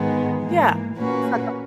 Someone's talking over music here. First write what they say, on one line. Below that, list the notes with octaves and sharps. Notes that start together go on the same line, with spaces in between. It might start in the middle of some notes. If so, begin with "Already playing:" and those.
Yeah, it's the government,
Already playing: G#2 D#3 G#3 B3
G#2 E3 A#3
A#2 A#3 C#4 F#4 B4